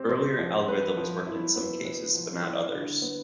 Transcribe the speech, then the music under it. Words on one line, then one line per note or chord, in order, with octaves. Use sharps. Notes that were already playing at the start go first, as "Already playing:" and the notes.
Earlier algorithms worked in some cases but not others.
Already playing: C4 G4
C5
F3
B4
F3
E4
B3
B4
F3
E4
D3
B3